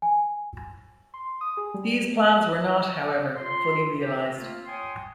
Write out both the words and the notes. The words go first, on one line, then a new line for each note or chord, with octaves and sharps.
These plans were not, however, fully realised.
G#5
C6
D#6
G#4
G3
F4 C6
E3 G4
A3 A#3 F4
C#5 G5 G#5 C6 D#6